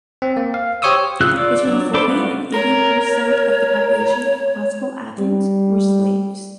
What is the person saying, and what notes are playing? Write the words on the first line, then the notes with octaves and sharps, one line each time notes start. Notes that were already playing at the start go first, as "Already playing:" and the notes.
Between forty and eighty per cent of the population of Classical Athens were slaves.
C4
A#3
F5
G4 C5 C#5 C#6 D#6 E6
C#3 F4 G#4 E6 F#6
F4 D5 E6
F#3 D4
D4 A4 B4 C5 D6
G3 A3 B3 F4 F#4
A#4 C#5
G3